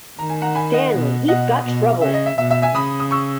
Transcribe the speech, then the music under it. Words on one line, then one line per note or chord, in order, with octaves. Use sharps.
Stanley, "he's" got troubles!
D#3 A#5
G#5
F#5 A#5
G#5 B5
D#5 F#5
B2
B2 D#5 F#5
B2
C#3 E5
D#5
E5
B2 E5
E5
E5 G#5
C#3 B5 D#6
D#6
C#6 E6